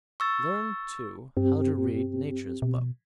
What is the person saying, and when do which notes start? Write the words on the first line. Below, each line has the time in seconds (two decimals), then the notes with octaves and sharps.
Learn, too, how to read Nature's book.
0.20 C#6 E6 A6
1.37 G2 C4 G4
2.62 B2